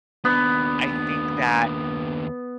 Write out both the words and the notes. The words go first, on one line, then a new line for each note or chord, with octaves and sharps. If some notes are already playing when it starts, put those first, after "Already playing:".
I think that,
D#2 B3 D4